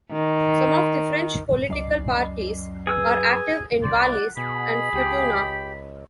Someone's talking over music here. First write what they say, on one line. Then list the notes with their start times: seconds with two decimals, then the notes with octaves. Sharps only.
Some of the French political parties are active in Wallis and Futuna.
0.12 D#3
1.70 C#2 F#2 D5 D#5 C7
2.87 G#4 B4 E6
3.83 C2 C5 D5
4.11 F#5
4.37 B2 G#4 B5
4.93 C#2 G4